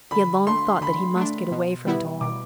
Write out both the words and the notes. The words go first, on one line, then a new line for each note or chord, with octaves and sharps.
He had long thought that he must get away from it all.
D3 B5
A3 D4 C6
D3 B5
A3 D4
B2
G3 B3 E4
B2 D6